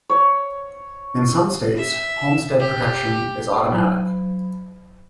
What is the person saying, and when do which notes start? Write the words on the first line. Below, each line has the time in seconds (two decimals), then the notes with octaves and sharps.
In some states, homestead protection is automatic.
0.10 C#5
1.78 E5
2.59 G4
3.72 F#3